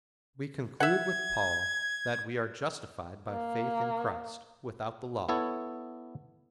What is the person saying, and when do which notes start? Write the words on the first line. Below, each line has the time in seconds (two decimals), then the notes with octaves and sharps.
We conclude with Paul, that we are justified by faith in Christ, without the Law.
0.80 E5 F#5 G#6
3.29 A#3
5.29 B3 E4 A4 C#5